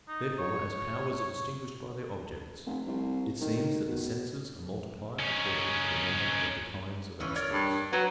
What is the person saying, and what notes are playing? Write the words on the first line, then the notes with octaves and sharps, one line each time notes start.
Therefore, as powers are distinguished by their objects, it seems that the senses are multiplied according to the number of the kinds of accidents.
D#4
C#5
F1
C2
D#3
B2
C#4 D#4
C#3 E3 C#4
A#4 C#5 D5
G2
F#3 B4 A#5